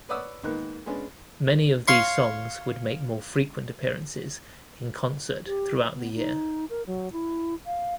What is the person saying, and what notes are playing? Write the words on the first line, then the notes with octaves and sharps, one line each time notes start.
Many of these songs would make more frequent appearances in concert throughout the year.
B4 C#5 D5 F#5 D#6 E6
G#2 D#3 A#3 B3 F#6
G#3 B3 C#4 D4
C#5 F5 C6 C#6
G4
B3
D#4
A#4
F#3
E4
F5